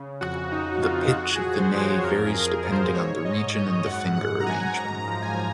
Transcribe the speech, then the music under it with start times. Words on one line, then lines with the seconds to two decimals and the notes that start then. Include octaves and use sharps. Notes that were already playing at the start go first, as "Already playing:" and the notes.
The pitch of the ney varies depending on the region and the finger arrangement.
Already playing: C#3
0.21 F2 F#4
0.52 F2 D#4
0.82 F2 F4
1.12 F2 F#4
1.36 G#4
1.43 F2
1.58 C5
1.74 F3
1.81 C#5
2.04 F#2 A#4
2.27 G#4
2.34 F#2
2.49 A#4
2.64 F#2
2.72 C5
2.95 G#2 C#5
3.25 G#2 D#5
3.56 G#2 D#5
3.86 F#2 F#5
4.17 F#2 F#5
4.40 A#5
4.47 F#2 G#5
4.77 G#2 A#5
5.00 A#5
5.08 F3
5.22 G#5